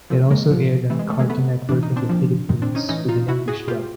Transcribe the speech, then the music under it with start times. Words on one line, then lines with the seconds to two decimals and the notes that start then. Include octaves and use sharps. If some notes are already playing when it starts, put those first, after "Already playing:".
It also aired on Cartoon Network in the Philippines with an English dub.
0.10 C3 F3 A3
0.30 G#3 A#3
0.51 A#2 F3
0.90 C3 E3 A3
0.99 G#3
1.10 A3
1.19 G#3 A#3
1.29 B2 A3 B3
1.69 A2 E3 D4
1.83 D#4
1.96 C4 D4
2.09 A#2 F3
2.49 C3 D#3
2.62 C4 D4
2.75 C#4 D#4
2.89 A2 E3 C#4 D#4
3.08 D#4 F4
3.28 B2 E4 F#4
3.48 F#4 G#4
3.68 B2 F4 G4